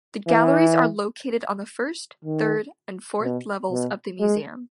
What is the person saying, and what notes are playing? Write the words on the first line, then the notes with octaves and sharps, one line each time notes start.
The galleries are located on the first, third and fourth levels of the museum.
E3
D#3
B2
B2
G#3